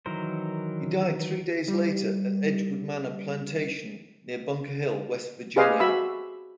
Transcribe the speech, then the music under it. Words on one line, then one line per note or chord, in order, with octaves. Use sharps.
He died three days later at Edgewood Manor plantation near Bunker Hill, West Virginia.
D#3 E3 F#3 A#4 C5
G3 G4
G4 G#4 B4 C5 D#5 F5
F#4 E5 B5 E6